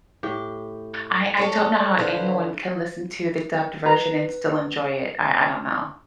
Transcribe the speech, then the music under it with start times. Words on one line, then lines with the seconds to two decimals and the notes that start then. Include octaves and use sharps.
I I don't know how anyone can listen to the dubbed version and still enjoy it. I I don't know.
0.23 A2 G4
1.37 A4 C#5 D5
1.99 D3 E3 B4 C5 F5
3.85 B4 A#5